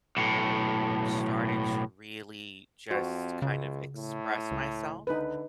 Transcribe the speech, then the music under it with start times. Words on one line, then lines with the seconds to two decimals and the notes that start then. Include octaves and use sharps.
started to really just kind of express myself,
0.17 B1 A2
2.91 F2 C4 F#4
3.42 C#2 C#3
3.95 A2
4.51 C#2
5.07 D3 D#4 B4